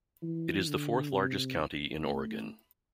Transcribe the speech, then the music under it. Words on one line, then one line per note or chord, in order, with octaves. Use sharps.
It is the fourth-largest county in Oregon.
E3
D3
C3
A3